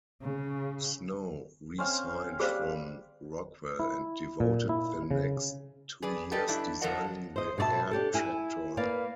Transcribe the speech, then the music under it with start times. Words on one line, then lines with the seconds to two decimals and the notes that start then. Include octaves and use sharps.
Snow resigned from Rockwell and devoted the next two years designing the Air Tractor.
0.22 C#3
1.78 C4 C#4 F5
2.40 G3 G#4 C5 F5 D6
3.79 E4
4.40 A#2
4.69 E4
5.11 C#3
6.02 G#4 B4 D5
6.32 G4 A4 B4 D5 D#5
6.48 G2 D4 E4
6.81 F3 F#3 A4 A#4 D#5 F#5
7.36 C5 D#5
7.58 B2 A4 D5 E5 A5
7.91 D4 G4 A4
8.14 E4 G#5
8.77 A#3 B4 D5 F5